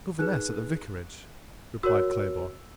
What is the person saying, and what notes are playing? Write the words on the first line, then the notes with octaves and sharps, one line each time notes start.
"Governess at the vicarage," replied Claybourne.
D#4 G#4 B4 F#6
F#4 A#4 C#5 E6